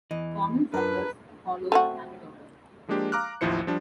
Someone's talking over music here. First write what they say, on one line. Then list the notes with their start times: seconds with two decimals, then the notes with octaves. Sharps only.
Formal suppers follow a standard order.
0.11 E2 E3 D#5
0.74 F#2 D4 F4 A#4 B4
1.72 A3 C4 F#4
2.88 F3 G#3 A#3 D4 G4
3.12 F5 A#5 D6 F6 F#6
3.41 A1 D#2 F3 E4 C5 C#7
3.67 F3 G3 D4